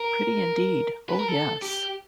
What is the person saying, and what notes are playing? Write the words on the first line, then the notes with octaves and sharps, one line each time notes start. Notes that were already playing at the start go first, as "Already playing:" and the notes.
Pretty, indeed! Oh yes!
Already playing: A#4
B4
A#4
A4
G4